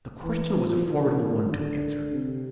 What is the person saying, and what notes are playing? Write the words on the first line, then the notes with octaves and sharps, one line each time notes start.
The question was a formidable one to answer.
E3
F3
D#3
D3
C3